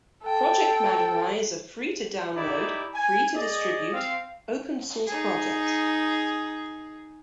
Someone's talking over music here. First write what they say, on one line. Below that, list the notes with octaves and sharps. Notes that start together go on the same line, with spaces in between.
Project madurai is a free to download, free to distribute open source project.
A4 G5
D#4 E4 G4 D5 B5
G#5
G#4 D5 D#5
C4 F5
D#4 G#4